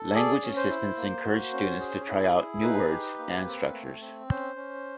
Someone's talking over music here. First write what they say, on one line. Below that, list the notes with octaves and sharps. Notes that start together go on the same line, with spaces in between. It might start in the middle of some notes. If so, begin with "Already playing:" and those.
Language assistants encourage students to try out new words and structures.
Already playing: A4
G#4 D5
C#4
C5
E4
A#3
F#4
C#4
G#4
E4
G#4
D#4 B4
G4
A#3
C4
A3
C4
C#4 C5
C#4